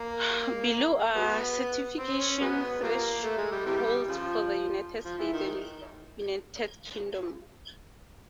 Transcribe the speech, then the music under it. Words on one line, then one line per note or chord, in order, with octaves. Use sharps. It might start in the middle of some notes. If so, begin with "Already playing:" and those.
Below are certification thresholds for the United States and United Kingdom.
Already playing: A#3
F#3 G#3 B3
C4
C#4
F#3 G#3 B3
F3 G3 A#3
A3
G#3
G3
C3 E3 G3
C#3 F3
F3
E3
D#3